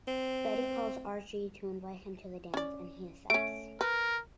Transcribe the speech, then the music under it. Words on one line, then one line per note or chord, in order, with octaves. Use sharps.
Betty calls Archie to invite him to the dance, and he accepts.
C4
C#4 D5
A3 C#4 D7
A#4 B4